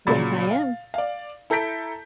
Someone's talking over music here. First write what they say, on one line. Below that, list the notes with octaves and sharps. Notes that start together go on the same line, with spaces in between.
Yes, I am.
A#2 C#3 F#3 B5 A6
F5
D5 F5
E4 A4 A#5 G6 B6 D7